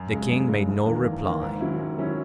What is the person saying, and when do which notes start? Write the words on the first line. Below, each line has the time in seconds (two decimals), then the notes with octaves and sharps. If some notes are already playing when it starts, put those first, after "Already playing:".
The king made no reply.
Already playing: F#2
0.12 C#3 G#3
0.30 F#2
0.48 C#3 G#3
0.68 F#1
0.86 E2 D#3 A#3
1.05 F#1
1.23 E2 D#3 A#3
1.42 G#2
1.60 D#3 F#3 C#4 E4
1.79 G#2
1.97 D#3 F#3 C#4 E4